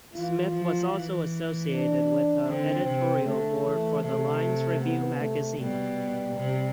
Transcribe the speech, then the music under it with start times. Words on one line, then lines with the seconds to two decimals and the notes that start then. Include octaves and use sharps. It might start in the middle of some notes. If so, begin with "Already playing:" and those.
Smith was also associated with the editorial board for the Lines Review magazine.
0.13 E3 F4
0.53 F3
0.91 E3
1.69 D4
2.47 D3 C4
2.86 C3
3.24 D3 A3
3.63 E3
4.02 C3 A3
4.80 B3
5.20 A3
5.58 B2 G3
6.36 C3